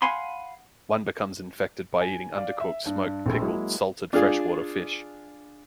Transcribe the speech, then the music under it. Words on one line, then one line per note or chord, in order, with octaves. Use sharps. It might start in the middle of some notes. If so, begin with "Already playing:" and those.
One becomes infected by eating undercooked, smoked, pickled salted freshwater fish.
F5 F#5 G#5 B5 C6
G#5
D5 F5
E5
G2
A#1 A3 C4 G#4 B5
F#3 G#3 A#3 E4
D4 F4 G#4